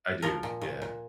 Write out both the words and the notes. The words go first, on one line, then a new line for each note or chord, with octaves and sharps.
I do, yeah.
F3 A#4
A#2
A#2
A#2